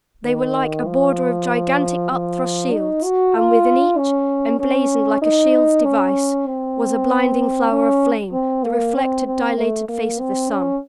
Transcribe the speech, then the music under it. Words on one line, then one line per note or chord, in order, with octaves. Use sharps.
They were like a border of gigantic, upthrust shields; and within each, emblazoned like a shield's device, was a blinding flower of flame--the reflected, dilated face of the sun.
D#3
F3
F3
D#4
F#4
F4
C#4
C#4
D#4
C#4
C4
C#4
C4
A#3
C4
C4
A3
A#3
C4
C#4